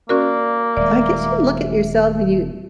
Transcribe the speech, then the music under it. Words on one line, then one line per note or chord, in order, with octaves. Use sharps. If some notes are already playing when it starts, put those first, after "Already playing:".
I guess you look at yourself and you
A#3 C#4 F#4 A#4 D5
D#1 G#3 D5 E5